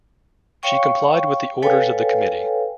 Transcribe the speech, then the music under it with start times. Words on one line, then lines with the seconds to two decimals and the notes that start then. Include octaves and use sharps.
She complied with the orders of the committee.
0.63 C#5 F5 G5 C#6
1.62 A4 B4 C#5 F5 G5 G#5